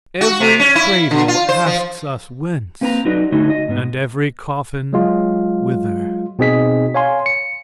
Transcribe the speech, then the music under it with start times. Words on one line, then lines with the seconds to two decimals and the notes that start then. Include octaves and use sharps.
Every cradle asks us "Whence?" and every coffin "Whither?"
0.21 F#4
0.40 C3
0.60 C#4
0.75 E4
1.11 D3
1.28 F4
1.49 C5
1.66 F3
2.81 A#3 C4 B4 G5 A#5
3.05 F#3 D#4 F#4 B4 D5 D#5
3.32 D3 A3 D#4 F#4 C#5
3.50 D#5
3.68 G#2 B3
4.93 F#3 G#3 F4
6.39 B2 C4 D#4 G#4 D#5 B6
6.94 C#5 F5 G#5 C6
7.26 C#7